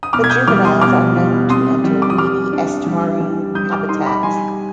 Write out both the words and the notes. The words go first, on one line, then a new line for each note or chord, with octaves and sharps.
The juveniles are known to enter weedy estuarine habitats.
D#6
B2 D6 F6
G#6
D#6 G6
G3 D6 F6
C6 D#6
B2 D6 F6
G3
C3 C6 D#6
G3
D6
D#6
G3 D6 F6
D4
G3
G3
G3 D#6 G6
D6 F6
D#4 C6 D#6
B5 D6
G3 G#5 C6